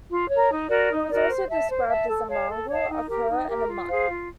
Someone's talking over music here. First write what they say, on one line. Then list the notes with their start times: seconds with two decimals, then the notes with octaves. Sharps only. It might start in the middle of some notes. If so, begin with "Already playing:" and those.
He was also described as a mongrel, a cur, and a mutt.
0.10 F4
0.29 C#5
0.35 A#4
0.50 D#4
0.69 F#4 A#4 D5
0.90 D#4
1.09 F#4 A#4 D5
1.29 C5
1.50 E5 A5
1.69 C5
1.89 E5 A5
2.09 A4
2.28 C#5 F5 A5
2.49 A4
2.68 C#5 F5 A5
2.89 D#4
3.09 G4 A#4
3.29 D#4
3.48 G4 A#4
3.68 F4
3.88 G#4 C5 F5
4.08 F4